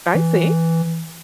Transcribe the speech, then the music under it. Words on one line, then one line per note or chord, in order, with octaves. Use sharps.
I see.
E3